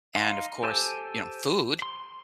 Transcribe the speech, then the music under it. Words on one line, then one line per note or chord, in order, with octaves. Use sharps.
and, of course, you know, food
D#4 F5 C6
G4 A4 C5 G#5 A5
C6